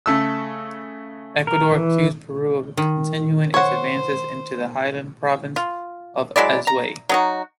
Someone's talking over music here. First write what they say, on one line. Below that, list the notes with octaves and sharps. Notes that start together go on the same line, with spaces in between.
Ecuador accused Peru of continuing its advances into the highland province of Azuay.
C#3 A3 E6
A#4
E3
D#3
C5 C#5 F#5
F4
F#3 G#3 E4 D5
A#5
F#3 D#4 F#4